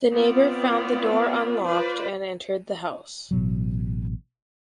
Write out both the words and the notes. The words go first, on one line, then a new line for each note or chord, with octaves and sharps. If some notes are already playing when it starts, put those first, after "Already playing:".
The neighbor found the door unlocked and entered the house.
B3 C4 F4 D5
F4 B4 C5 D5
A1 B2 F#3